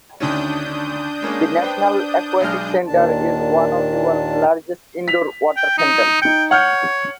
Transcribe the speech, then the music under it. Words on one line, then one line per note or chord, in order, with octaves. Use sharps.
The National Aquatic Centre is one of the world's largest indoor water centres.
D2 D#3 C#4 D4 D#6 G6
G#3 A#3 C#4
B4 C5 G5
B1 G#3 F6
D#2 A#2 D#3 D4 A5
B6 F7
G5
D#4
D#4 G5 C#7
C#5 F#5 F6 G6